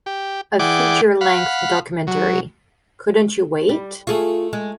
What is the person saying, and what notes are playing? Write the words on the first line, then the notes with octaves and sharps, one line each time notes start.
A feature-length documentary, Couldn't You Wait?
G4
E3 G#4 D5 F#5 G5 D6
F5 F#5 B5
F#3
G3
A3 F4 G#4 C#6
G#3